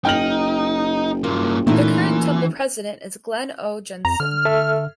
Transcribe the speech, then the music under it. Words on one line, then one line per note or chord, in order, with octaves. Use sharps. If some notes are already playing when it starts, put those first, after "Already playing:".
The current temple president is Glen O. Jenson.
F#1 D#4 G5 F6 F#7
G2 A#3 F4
A#2 E3 F#3 A3 D#4 E4
F2 A#5
D3 F6
A4 E5